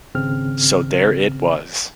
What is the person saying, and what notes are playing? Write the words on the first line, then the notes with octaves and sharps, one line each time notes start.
So there it was.
G#1 C#3 C4 F6